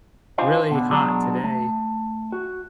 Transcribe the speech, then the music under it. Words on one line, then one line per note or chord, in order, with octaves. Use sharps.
really hot today
D4 F4 C5 D#5 F5 G#5
B2 D3
B2 F#3 G#3 D4 A5 A#5
A3
F#4